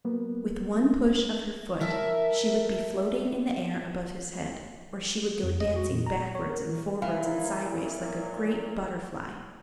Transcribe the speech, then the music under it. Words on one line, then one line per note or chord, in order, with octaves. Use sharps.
With one push of her foot, she would be floating in the air above his head; or she would go dancing backwards and forwards and sideways, like a great butterfly.
F#3 A#3 B3
A#4 E5 A5
F2
D#5
F#4
A#2
A#5
C#5
A#4
E3
A#2 E3 F#3 F5